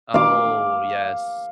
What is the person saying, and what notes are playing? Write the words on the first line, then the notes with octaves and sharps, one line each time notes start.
Oh, yes.
F5 D6